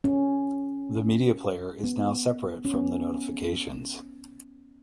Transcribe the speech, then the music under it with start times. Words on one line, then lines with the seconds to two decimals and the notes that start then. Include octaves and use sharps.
The media player is now separate from the notifications.
0.04 C#4
1.84 B3
2.65 C#4
2.74 B3